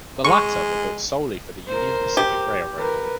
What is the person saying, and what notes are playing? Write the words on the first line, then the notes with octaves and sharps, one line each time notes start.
The latter were built solely for the Union Pacific Railroad.
G#3 C#6
A#4 C5
G4
A#4 B4